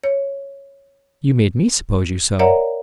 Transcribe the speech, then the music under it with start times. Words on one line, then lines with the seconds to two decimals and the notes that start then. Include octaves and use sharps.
'You made me suppose you so.
0.04 C#5
2.39 A#4 C#5 D5 E5 F#5 A#5